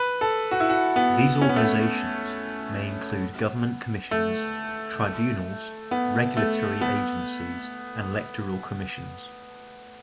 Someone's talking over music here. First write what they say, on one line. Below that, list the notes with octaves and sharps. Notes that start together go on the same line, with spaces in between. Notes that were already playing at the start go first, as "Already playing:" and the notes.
These organizations may include government commissions, tribunals, regulatory agencies and electoral commissions.
Already playing: B4
A4
F#4
E4
F#4
B3
C#4
B3
A3
B3
A3
B3
A3
B3